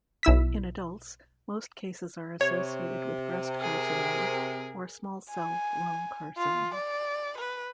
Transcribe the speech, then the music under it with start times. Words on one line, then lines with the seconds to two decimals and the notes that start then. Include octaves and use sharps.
In adults, most cases are associated with breast carcinoma or small-cell lung carcinoma.
0.23 B1 E4 E6 B6
2.41 C3 C#5
3.60 G#4 A#4
5.31 G#5
6.37 F4
6.75 D5
7.38 B4